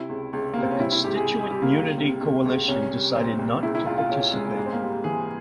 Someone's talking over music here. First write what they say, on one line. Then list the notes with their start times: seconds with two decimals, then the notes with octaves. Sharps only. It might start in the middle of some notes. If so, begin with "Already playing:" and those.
The Constituent Unity coalition decided not to participate.
Already playing: C3 E4
0.09 C#2
0.33 C#2
0.53 C3 A#3
0.63 C4
0.71 C#4
0.80 G3 E4
0.92 E4
1.04 G#2 G4
1.16 G#4
1.27 G3
1.39 G#4
1.50 G3 G4
1.62 A#3
1.75 C#2
1.98 C3
2.21 C#2
2.46 C#2
2.68 C2 C#4
2.93 G3
3.16 A#2 C4
3.39 C2
3.63 C#2 E4
3.75 E4
3.86 C#2 F4
3.98 F4
4.10 C#2 C#4
4.33 C#2 G#3
4.45 G#3
4.57 G#2 G#3
4.66 C4
4.72 A#3
4.82 G3
5.04 E3 G#4